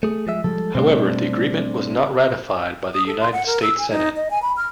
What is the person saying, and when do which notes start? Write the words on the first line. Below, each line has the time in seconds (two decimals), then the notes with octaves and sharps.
However, the agreement was not ratified by the United States Senate.
0.03 A3 G#4
0.27 F3 G#3 E5
0.44 F3 G3 G#3 A4
0.75 B2 G3 A3 C4 D4
2.94 D#6
3.06 A4
3.21 C6
3.33 F#5
3.46 A#4
3.62 E6
3.78 G#5
3.90 D#4
4.17 D#5
4.31 G#5
4.42 B5
4.57 F6